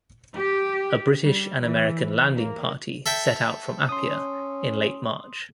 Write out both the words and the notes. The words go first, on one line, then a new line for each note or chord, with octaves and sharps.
A British and American landing party set out from Apia in late March.
G4
G3
E3
A#3
A4 E5 G5
C#4 C6 D#6